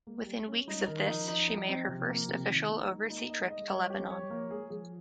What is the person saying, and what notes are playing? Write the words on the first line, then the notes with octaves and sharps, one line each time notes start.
Within weeks of this she made her first official overseas trip to Lebanon.
G#3 A#3
G3
C#4
G3 D#4
D#3 A#4
F3 D#4
D#4
D#4
C4
C3
A#3
C3
D#3 D#4
A#3 D#4
G#3 D#4
A#3 D#4
D#5
G#3
D#5
G#3
G3 C#5
G4
C#5
G3
F3 A#3
G#3 G#4
F3 G#4